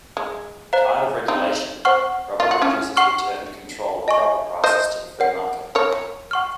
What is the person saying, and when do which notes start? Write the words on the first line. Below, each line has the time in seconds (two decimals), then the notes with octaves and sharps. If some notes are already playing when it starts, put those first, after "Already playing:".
Tired of regulation, rubber producers returned control of rubber prices to the free market.
0.17 G#3
0.73 C5 F5 A#5
1.28 C4 D#4
1.85 C5 F#5 C#6 F6
2.40 F4
2.51 F#4
2.62 C#4 F4
2.97 F#5 C#6 F6
4.08 D#5 G#5 C#6
4.64 C5 D#5
5.20 A#4 C#5 F#5
5.75 A#4 C#5
6.31 F#5 C#6 F6